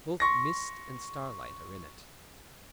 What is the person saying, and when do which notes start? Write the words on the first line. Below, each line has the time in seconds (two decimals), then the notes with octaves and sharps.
Both mist and starlight are in it.
0.20 C6 C#6 A#6